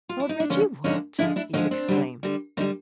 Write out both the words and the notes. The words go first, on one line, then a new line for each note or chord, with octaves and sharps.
"Lord Reggie what!" Eve exclaimed.
F4
E4
D#4
D4
D3 F3 G#3 B3 C#4
D3 F3 G#3 C#4 D#4
D3 F3 G#3 D4 E4
D4 E4
D3 F3 G#3 C#4 D#4
C4 D4
D3 G3
D3 G3
D3 G3 C#4 D#4